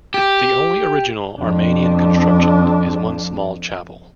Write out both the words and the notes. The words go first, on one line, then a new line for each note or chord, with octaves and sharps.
The only original Armenian construction is one small chapel.
G4
F2 D4